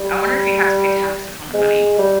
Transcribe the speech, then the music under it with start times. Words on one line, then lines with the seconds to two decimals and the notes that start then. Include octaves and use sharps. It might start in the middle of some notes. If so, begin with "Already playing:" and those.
I wonder if you'd have to pay taxes on the money.
Already playing: G3
1.54 G#3
1.99 G3